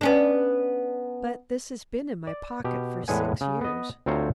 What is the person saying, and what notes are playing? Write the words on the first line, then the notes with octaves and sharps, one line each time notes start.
But this has been in my pocket for six years.
B3 C#4 D4
D5
B2 G4
E2 A2 G#3 B4 F#5 G#5
C#3
B3 D#5
D2 C4 F4 C5 C#5 A#5